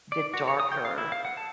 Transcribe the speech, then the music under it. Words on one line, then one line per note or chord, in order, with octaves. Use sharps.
the darker,
D5
F#4
C#5
D#6
G5
F5
E4
F5
F#5
A5